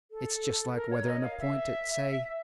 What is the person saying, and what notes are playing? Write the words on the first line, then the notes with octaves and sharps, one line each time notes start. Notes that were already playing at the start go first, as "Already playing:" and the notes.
It's just like weatherin' a point at say.
A4
A#4
C#5
D#5
F5
E5